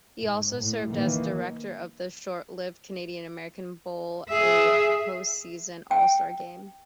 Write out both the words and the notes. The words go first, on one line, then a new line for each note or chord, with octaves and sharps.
He also served as director of the short-lived Canadian-American Bowl, a postseason all-star game.
G#2
A2
D#3 E3 A#3
G#4 E5
G5